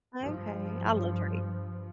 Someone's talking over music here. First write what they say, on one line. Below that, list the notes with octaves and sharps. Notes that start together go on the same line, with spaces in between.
Okay. I love to read.
G2 F3